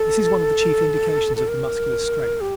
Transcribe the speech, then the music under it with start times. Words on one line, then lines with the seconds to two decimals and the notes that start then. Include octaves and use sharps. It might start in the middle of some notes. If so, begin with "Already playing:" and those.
This is one of the chief indications of the Muscular's strength.
Already playing: A4
1.36 A4
1.48 A#4
2.41 G4